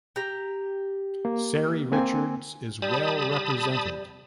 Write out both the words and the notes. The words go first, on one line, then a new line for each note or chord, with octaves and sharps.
Ceri Richards is well represented.
G4 A#5
A#3
A#3 C4 G#5
G3 A5 B5 D#6